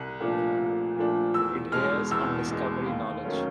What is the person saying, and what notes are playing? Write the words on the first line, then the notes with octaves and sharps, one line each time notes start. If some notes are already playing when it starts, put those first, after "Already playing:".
It airs on Discovery Knowledge.
Already playing: C2 F#6
A#2 F3 A3 D4
C2
A#2 F3 A3 D4
E2 E6
B2 G#3 F6
E2 E6
B2 G#3
D#2
D#3 F#3 A3 C#4